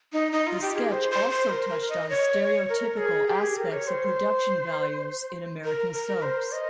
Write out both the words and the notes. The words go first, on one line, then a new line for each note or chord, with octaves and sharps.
The sketch also touched on stereotypical aspects of production values in American soaps.
D#4
D#4
F4
G4
G#4
C5
C5
C5
A#4
A#4
D#5
C#5
A#4
G#4
G4
G#4
A#4
C#5
C5
A#4
A#4
C5
D#5